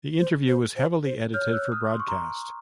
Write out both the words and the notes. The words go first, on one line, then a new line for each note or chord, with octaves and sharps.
The interview was heavily edited for broadcast.
C5
C5
C5
C5
C#5 F6 G6
E6 F#6
D#6 F6
C6
C#6
A#5 C6